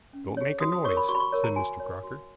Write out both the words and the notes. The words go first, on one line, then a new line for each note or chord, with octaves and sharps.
"Don't make a noise," said Mr. Crocker.
C#4
G#4 C#5
F#4 D#6
D#6
A#4 C#5 C#6
B5
F#4 C#6
B5
C#6
A#4 C#5
A#5
F#4 G#5
A#4 C#5
F#4